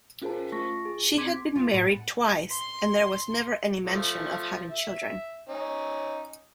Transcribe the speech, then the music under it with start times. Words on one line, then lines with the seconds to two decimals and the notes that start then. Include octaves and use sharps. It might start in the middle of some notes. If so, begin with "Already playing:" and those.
She had been married twice and there was never any mention of having children.
0.22 C#4 F4 G#4 A#4 C5 A5
0.52 A3 F4 A5 C#6 A#6
0.85 G#4
1.17 C4 C6 D6 G#6 B6
1.56 F4
1.72 A2
1.85 F#5
2.50 C6
3.86 F3 A3
4.71 E5
5.49 C#4 D#4